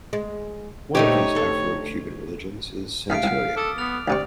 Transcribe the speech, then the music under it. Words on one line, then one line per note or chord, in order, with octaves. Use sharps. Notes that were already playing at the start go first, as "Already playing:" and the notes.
One of these Afro-Cuban religions is Santeria.
G#3
A#2 D3 A3 C4 D#4 G4 C#5
D2 A4
D#2 C#3 A3 F5 F6 B6 D7
C2 F#5 F6
A4 D6 D#6 A6
B3 F6 A6 F7
D2 C3 D5 C#6